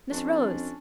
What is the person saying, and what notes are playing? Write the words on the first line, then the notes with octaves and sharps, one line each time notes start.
Miss Rose!
F2 C#4 D4